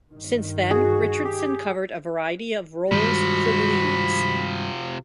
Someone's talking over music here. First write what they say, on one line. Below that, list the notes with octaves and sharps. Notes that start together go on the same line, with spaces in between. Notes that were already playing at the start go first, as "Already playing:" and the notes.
Since then, Richardson covered a variety of roles for Leeds.
G2 D#3
F#4 G#4
G4
G2 C3 D#3 F3 G#3 F#4 B5